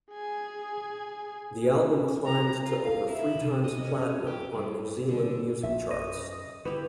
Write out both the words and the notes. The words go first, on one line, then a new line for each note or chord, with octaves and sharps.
The album climbed to over three times platinum on New Zealand music charts.
G#4 G#5
A#5
F4
F5
E4
C3
D#5
C#4
G4
G2
D3
A#1 D#2 B2 E5
F#2 D#5
D3 E4 F#4 G4 B4